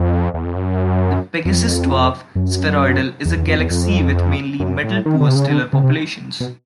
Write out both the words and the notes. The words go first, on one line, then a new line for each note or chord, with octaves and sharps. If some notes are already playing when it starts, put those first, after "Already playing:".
The Pegasus Dwarf Spheroidal is a galaxy with mainly metal-poor stellar populations.
Already playing: F2
E2
F2
F#2
F2
F#2
E2
E2
F2
E2
F2
F#2
A2
D#3
D3
C3
C#3
D3
C#3
C3
B2